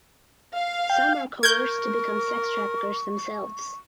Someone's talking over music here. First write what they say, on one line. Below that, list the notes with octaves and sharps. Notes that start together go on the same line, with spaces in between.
Some are coerced to become sex traffickers themselves.
F5
G5
A#4 C#6 G6 G#6